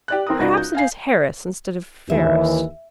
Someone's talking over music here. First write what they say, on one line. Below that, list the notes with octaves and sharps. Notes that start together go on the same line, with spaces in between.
"Perhaps it is Harris instead of Ferris."
G4 D5 F#6
C4 A#4 D#6
C#2 D#4 F#4 D5 A#5 A#6
G6
F5 G#5 C7
D#2 E3 E5